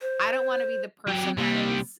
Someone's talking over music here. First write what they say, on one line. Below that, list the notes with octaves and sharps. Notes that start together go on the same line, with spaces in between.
I don't wanna be the person that is
C5
F#3 G4
C4
C3 G3 A#3